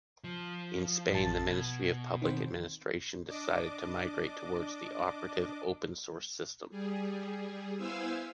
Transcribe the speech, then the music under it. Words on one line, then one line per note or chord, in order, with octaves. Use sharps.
In Spain the Ministry of Public Administration decided to migrate towards an operative open source system.
F3
A1 A5 A6
B2 G#6
D#3 C4 C5
D4 D#5 D6
G3 G#4
B3 E4 C5 F5 G#5 E6